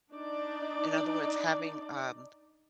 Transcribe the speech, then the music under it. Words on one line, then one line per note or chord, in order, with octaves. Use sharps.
In other words, having, um,
D4 D#4 D5